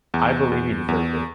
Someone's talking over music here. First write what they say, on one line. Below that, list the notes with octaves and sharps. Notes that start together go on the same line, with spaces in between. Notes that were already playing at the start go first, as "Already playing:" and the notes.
I believe he deserved it'.
E2
E2
E2